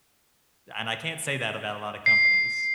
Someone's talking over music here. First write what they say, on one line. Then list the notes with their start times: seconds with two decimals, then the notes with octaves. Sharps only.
And, I can't say that about a lotta companies.
2.06 C7